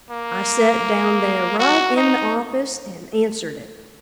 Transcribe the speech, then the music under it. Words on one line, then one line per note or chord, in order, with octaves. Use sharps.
I set down there right in the office and answered it.
A#3
F#4
D#4